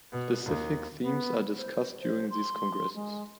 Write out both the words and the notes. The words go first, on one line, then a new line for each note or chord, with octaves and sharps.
Specific themes are discussed during these congresses.
B2
D#2
B3
C5
C5
C6
G#3